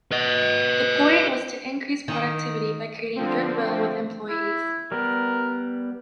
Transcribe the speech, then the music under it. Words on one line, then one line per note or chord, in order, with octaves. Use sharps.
The point was to increase productivity by creating good will with employees.
B4 D#5
D#3
D3 F3 C4
E4
G3 B3 A#4